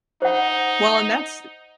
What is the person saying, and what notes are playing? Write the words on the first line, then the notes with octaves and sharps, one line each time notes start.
Well, and that's
D#4 C5 F#5